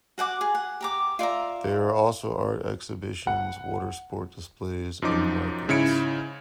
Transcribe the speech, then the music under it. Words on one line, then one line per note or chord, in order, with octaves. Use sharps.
There are also art exhibitions, watersport displays and markets.
F#4 F#5 G5 D6
G#4
F#5
G4 A#5 D6
F4 D5 E5 A#5
F#5
F#2 F3 D#4 D6
G#2 C#3 E4 G#6 C#7 D7